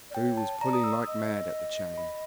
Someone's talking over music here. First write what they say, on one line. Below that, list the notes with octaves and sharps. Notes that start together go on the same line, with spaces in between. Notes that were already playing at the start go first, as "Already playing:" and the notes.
True was pulling like mad at the chain.
D5
C#5 G5
A5
D5 A#5
D#6
E6
D#5
B5